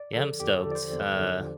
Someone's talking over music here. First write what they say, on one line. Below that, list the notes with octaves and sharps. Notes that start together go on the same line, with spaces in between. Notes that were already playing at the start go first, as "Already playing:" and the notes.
Yeah, I'm stoked. Uh.
Already playing: D5
D3 F3 A4
E2 G4
A4
D3 F3 D5
C5
E2
D3 F3